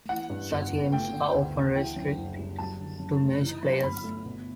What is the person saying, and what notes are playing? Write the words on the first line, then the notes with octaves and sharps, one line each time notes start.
Such games are often restricted to mature players.
E3 F#5
G2
G1
G1
A3 G5
D3
D2
D2
E3 G5
F#2
F#1
G3
F#3 A5
D3
F#2
A3
E3
F#2
G1 B5
A3
B2